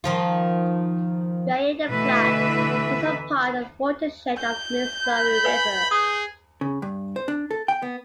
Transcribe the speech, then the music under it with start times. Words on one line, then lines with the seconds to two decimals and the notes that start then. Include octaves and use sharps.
Via the Platte, it is part of the watershed of the Missouri River.
0.04 D#3 F3 F4
1.86 B2 D3 E3 A3 B4 E5
4.38 G6
5.05 B5
5.45 B4 G#5
5.91 G#4 D#6
6.61 C#3
6.82 G2
7.16 C5
7.28 D4
7.51 A4
7.68 G5
7.82 B3